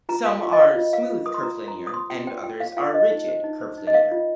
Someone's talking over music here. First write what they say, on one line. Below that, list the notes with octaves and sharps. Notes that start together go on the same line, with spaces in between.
Some are smooth curvilinear and others are ridged curvilinear.
F4 A#5
A#4 F5
F4 F5
D#5
A#4 F5
F4
A#4 F5
F4
A#4 D#6
C6
F4 A#5
A#4
A#5
F4
D#6
C5 C6
F4 G5
C5 G5
F4 G5
C5 F5
F4 F5
C5 D#5
D#4
C5
D#4
C5
D#4
D#5
A#4 F5
F4